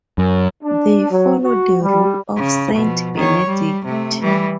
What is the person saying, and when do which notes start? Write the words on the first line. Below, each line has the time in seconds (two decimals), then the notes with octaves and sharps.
They follow the Rule of Saint Benedict.
0.18 F#2
0.64 D4
1.10 F#3
1.44 F#4
1.82 G3
2.37 C#3
2.75 B2 F3
3.15 D#3 C#5
3.47 G3
3.85 C3 A3
4.21 E3 G3